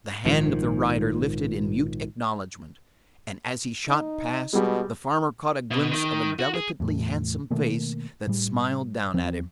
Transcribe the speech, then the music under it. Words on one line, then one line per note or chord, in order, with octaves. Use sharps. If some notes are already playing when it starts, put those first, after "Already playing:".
The hand of the rider lifted in mute acknowledgment, and as he shot past, the farmer caught a glimpse of a delicately handsome face that smiled down at him.
A#1 G#2 D#3 F3
D#4
B2 G3 G#3
B2
D#3
F#4
G#4
E2 A2
B2 D#3 A3 A#3
A2 G3
E2 F3 C4